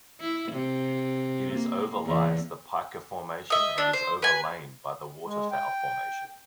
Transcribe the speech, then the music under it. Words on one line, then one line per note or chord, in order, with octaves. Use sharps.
It is overlies the Pika Formation and is overlain by the Waterfowl Formation.
E4
C3
A#3
E2
D#5 E5
D4
C5
B4 G#5
G#3
G5